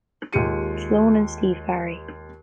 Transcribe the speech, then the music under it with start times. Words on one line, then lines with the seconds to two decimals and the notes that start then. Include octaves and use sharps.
Sloan and Steve Barri.
0.33 D#2 G#3 F4 G4 C#7 D#7